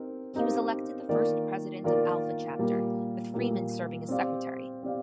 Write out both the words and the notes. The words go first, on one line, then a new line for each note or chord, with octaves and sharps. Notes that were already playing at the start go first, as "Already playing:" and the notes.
He was elected the first president of Alpha Chapter, with Freeman serving as secretary.
Already playing: C4 D#4 G4 A#4
C4 D#4 G4 A#4 F5
D#3 A#3 F4 A#4 D5
D#3 A#3 F4 A#4 D5
A#2 G3 A#3
A#2 G3 A#3
C4 G4 D5 F5
C4 G4 D5 F5